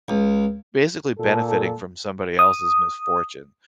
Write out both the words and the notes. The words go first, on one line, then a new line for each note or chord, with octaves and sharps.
basically benefiting from somebody else's misfortune."
C#2
A#2 A4
D#6